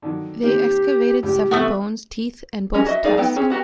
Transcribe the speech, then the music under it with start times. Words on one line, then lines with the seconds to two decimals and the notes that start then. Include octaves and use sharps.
They excavated several bones, teeth and both tusk.
0.02 D3 D#3 F#3
0.43 D#3 A#3 C4 G4
1.23 C#2 A2 G4
1.51 E2 C3 A3 B3 F#4 A4
2.74 G3 C#4 G#4 D#5
2.86 F#4 D#5 E5
3.04 D#4 G#4 D5 F5
3.17 A3 B3 D#4 G5
3.36 C4 C#4 G#4
3.50 B3 F#4 G4 A#4